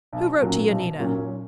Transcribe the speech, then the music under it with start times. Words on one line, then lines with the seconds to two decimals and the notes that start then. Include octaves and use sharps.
"Who wrote to Yanina?"
0.13 B1
0.42 A#2 F#3 C#4
0.70 B1
0.99 A#2 F#3 C#4